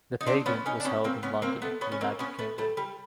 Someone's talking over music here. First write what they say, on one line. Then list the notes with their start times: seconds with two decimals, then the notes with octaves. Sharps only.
The pageant was held in London, United Kingdom.
0.21 D#4
0.26 C4 D4
0.46 B3 C#4
0.66 C#4 D#4
0.80 D4
0.85 B3 C#4
1.04 A#3 C4
1.23 B3 C#4
1.42 A#3 C4
1.62 A3 B3
1.81 B3 C#4
1.92 C#4
2.01 A#3 C4
2.19 B3 C#4
2.39 A3 B3
2.58 G3 A3
2.77 G3